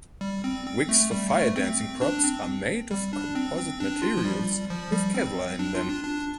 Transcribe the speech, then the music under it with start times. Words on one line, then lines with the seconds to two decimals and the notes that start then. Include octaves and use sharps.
Wicks for fire dancing props are made of composite materials with Kevlar in them.
0.21 G3
0.44 C4
0.67 C4
0.89 A3
1.11 G3
1.33 A3
1.56 C4
2.01 D4
2.24 C4
2.91 G3
3.13 D4
3.35 C4
3.58 C4
3.80 D4
4.02 F4
4.17 F3
4.25 G3
4.70 F3
4.92 G3
5.14 C4
5.59 D4
5.75 F4
5.89 D4
6.04 D4